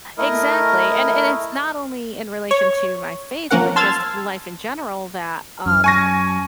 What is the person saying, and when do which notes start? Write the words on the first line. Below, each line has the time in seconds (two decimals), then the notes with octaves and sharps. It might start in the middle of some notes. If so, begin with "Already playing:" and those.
Exactly, and and it's not only in relation to my faith, but just life in general that um,
0.18 A3 E4 A#4 D#5
2.51 C#5
3.51 F3 A#3 C#4 A#4 F#5
3.76 A5 C6 E6 F6 G#6 A6
5.66 F#2 F6
5.84 G#5 A5 C#6 A#6